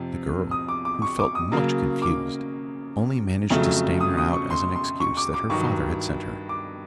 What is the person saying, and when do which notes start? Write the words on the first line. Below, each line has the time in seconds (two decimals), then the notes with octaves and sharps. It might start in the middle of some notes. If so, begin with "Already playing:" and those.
The girl, who felt much confused, only managed to stammer out as an excuse that her father had sent her.
Already playing: F2 C3 F3
0.51 D#6
0.68 D6
0.85 D6
1.02 C#6
1.19 D6
1.35 D#6
1.52 C#3 F#3 A#3
2.02 D6
3.50 F2 C#3 F#3 A3
4.01 D#6
4.17 D#6
4.34 C#6
4.50 C6
4.76 C6
5.00 C#6
5.17 D6
5.34 D6
5.50 G2 D#3 F#3 C#6
6.49 D6